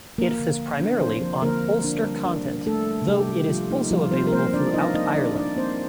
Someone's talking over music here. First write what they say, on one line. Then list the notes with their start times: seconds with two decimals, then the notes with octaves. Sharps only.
It focuses primarily on Ulster content, though it is also available throughout Ireland.
0.18 F3 A#3 A#4
0.39 D3
0.60 D3
0.80 D4
1.01 F3 C4 C5
1.21 F3
1.42 D3 A#3 A#4
1.64 A#3
1.84 D4
2.04 G3
2.26 D4
2.46 D4
2.66 A3 D4 A4
2.87 G3
3.08 C3 G3 G4
3.29 G3
3.49 F3 G3 F4
3.70 A#3 D#4
3.91 F3 G3 F4
4.11 G3 C4 C5
4.27 A#4
4.32 A#3 C4 C5
4.54 D4 D5
4.74 D4 D#4 D#5
4.85 F5
4.94 A#3 D#4 D#5
5.15 D4 D5
5.36 D4 D5
5.57 A#3 C4 C5